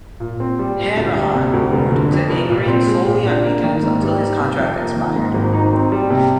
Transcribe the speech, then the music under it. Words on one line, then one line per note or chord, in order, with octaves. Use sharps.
Hanrahan moved to anchoring solely on weekends until his contract expired.
A#2
C4
G3
A#2
D2
G3
C3
D2
F1
D3
F2
F1
A#2
C4
G#3
A#2
D4
A#3
D#3
G#2
G3
D#3
C3
F2
A#3
D#3
G#2
G#1
D#4
C4
G3
C3